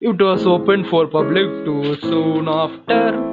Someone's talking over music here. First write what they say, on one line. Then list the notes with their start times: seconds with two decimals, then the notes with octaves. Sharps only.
It was opened for public tours soon after.
0.33 A2 E3 G#3 C4
1.17 E3 G#3 C#4
2.02 A2 E3 C4
2.87 E3 A3 C4 E4